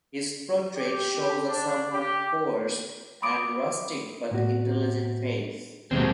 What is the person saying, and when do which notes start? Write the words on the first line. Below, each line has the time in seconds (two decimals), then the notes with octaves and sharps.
His portrait shows a somewhat coarse and rustic but intelligent face.
0.77 G4
1.48 D4
1.94 G4
3.22 B5 C6 D6 D#6 D7
4.31 A2 B3 F#4
5.91 D#2 B2 F#3 G#3 A#3 C4